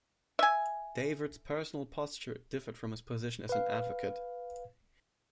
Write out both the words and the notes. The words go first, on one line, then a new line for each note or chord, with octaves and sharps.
Davis's personal posture differed from his position as an advocate.
E5 G#5
B4 F5